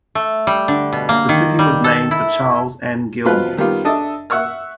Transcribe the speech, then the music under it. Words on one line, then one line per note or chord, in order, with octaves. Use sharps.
The city was named for Charles N. Gilmore.
A3
G3
D3
B2
A#3
D#3
G3
A4
E4
B2 F3 F4 B4 F#6
D#3 G3 B3 F4
D4 A4 D#5 E5 A5
E5 F#5 C#6 E6 F6